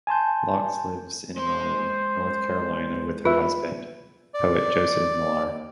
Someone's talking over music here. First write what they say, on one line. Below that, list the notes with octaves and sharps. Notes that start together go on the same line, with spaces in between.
Laux lives in Raleigh, North Carolina with her husband, poet Joseph Millar.
G#5 A5 C6 G6
G#3 C5 C6
F4 B4 E5
D5